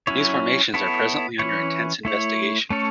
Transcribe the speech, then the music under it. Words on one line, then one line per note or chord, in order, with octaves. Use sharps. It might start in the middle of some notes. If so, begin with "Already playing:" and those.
These formations are presently under intense investigation.
F#3 C#4 E4 C#5
B3 E4 A4 C#5
E3 C#4 E4 C#5
A3 E4 C#5
A3 C#4 A4 C#5